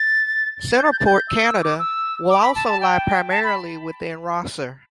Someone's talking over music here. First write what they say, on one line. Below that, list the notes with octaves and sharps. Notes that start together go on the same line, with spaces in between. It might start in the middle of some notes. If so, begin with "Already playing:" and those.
CentrePort Canada will also lie primarily within Rosser.
Already playing: A6
G6
A6
G6
A6
G6
E6
E6
D6
E6
D6
B5
A5
A5
G5
A5
B5